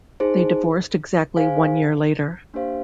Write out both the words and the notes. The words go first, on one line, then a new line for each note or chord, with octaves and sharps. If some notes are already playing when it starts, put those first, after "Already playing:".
They divorced exactly one year later.
D#4 G#4 C5
G#4 C5 F5 G#5
A#3 D4 G4 C5 F5